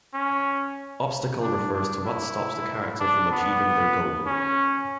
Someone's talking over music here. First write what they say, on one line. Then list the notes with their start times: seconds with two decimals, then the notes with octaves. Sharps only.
Obstacle refers to what stops the character from achieving their goal.
0.14 C#4
1.41 D4
1.73 D4
2.05 E4
3.00 D4
3.32 B3
4.26 C#4